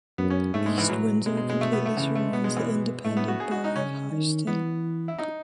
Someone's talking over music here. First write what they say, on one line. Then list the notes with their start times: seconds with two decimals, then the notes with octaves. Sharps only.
East Windsor completely surrounds the independent borough of Hightstown.
0.18 F#2 B3
0.30 C#4
0.54 G#2 A3
0.66 G#3
0.78 E3
0.89 A2 F#3
1.25 B2 G#3
1.37 G#3
1.50 G#3
1.61 A3
1.73 B3
1.86 A3
1.97 C#3 E3
2.15 A3
2.32 B2 B3
2.44 G#3
2.57 E3
3.04 A2 A3
3.17 B3
3.28 F#4
3.40 G#4
3.51 F#4
3.64 D#4
3.76 C#3 C#4
4.12 D#3
4.47 E3 B3
5.08 E4
5.19 D#4